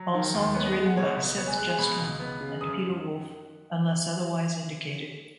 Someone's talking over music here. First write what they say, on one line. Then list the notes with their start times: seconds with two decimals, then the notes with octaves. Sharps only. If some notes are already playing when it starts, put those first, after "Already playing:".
All songs written by Seth Justman and Peter Wolf unless otherwise indicated.
Already playing: F#3
0.14 D#3
0.34 D#2
0.55 B3 C#5
0.65 D#5
0.76 G#3 D#5
0.86 F#5
0.97 B2 C#5
1.17 C#2
1.38 B3 C#5
1.47 G#5
1.58 G#3 F#6
1.68 G#5
1.78 B2 B5
1.99 C#2
2.20 B3
2.41 C#3
2.61 F#2 D#6